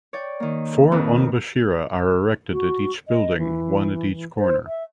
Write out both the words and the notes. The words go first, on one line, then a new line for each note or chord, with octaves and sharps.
Four "onbashira" are erected at each building, one at each corner.
C#5 D5 G5
D#3 A#3
F2 D#3 A#3 B4
F#4
D#5
E3
C5
E5